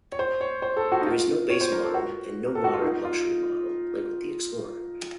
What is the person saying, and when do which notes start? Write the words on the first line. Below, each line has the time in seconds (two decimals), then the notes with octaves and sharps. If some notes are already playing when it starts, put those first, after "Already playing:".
There is no base model and no moderate luxury model, like with the Explorer.
0.12 C#5
0.19 C5
0.41 C#5
0.62 C5
0.77 A4
0.92 F#4
1.01 D#4
1.06 F4
1.50 C#5
1.61 C5
1.72 A#4
1.83 A4
1.94 F#4
2.46 A#4
2.55 A4
2.64 F#4
2.74 F4
2.82 D#4
3.05 F4